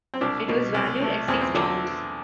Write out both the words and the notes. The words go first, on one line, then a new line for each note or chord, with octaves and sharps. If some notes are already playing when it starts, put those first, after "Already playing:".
It was valued at six pounds.
C4
C2 D4
B2
C2
A3
E2 C4
C4
D3 D4